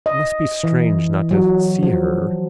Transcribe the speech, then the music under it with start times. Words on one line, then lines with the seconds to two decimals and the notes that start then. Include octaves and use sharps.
Must be strange not to see her.
0.06 D#5
0.64 E3
1.31 F#3
1.83 F3